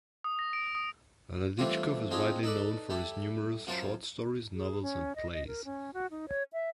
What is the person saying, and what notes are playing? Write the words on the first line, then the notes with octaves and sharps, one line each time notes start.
Radichkov is widely known for his numerous short stories, novels and plays.
D#6
A#6
D7
D#6
E3 G3 A3 C4 D4 F4
C4 D4 D#4 F4 G4 G#4
D#4 A4 B4 D5
G3 E4 A4
F#2 F4 C5 A5
G#4
C#4
D#5
D#5
A#4
C#4
F#4
D#4
C#5
E5